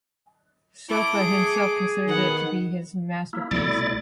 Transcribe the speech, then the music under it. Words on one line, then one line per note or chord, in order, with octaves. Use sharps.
Sofa himself considered it to be his masterpiece.
A3 E4 D6
G#4
D#3 B3 F#5
A#3 E4
C2 B2 A3 E4 D5 A6